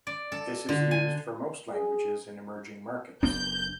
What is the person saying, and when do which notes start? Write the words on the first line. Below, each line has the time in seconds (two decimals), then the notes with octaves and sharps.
This is used for most languages in emerging markets.
0.07 D5
0.32 A4
0.69 D3
0.91 G#5
1.74 G#4
3.23 F#1 B3 D4 G6